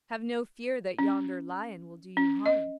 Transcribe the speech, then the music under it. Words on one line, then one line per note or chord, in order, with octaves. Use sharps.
Have no fear that yonder lion will do you harm.
C#4
C#4
D#5